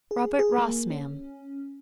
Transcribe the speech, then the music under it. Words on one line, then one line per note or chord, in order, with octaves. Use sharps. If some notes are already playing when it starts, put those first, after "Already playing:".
"Robert Ross, ma'am."
G#4
G#4
A#3
C#4